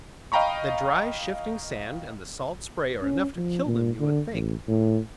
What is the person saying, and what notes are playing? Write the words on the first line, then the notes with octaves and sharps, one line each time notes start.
The dry, shifting sand, and the salt spray, are enough to kill them, you would think.
D#5 F5 G5 A#5 B5 C#6
C#4
F3
A#2
D3
A1
A2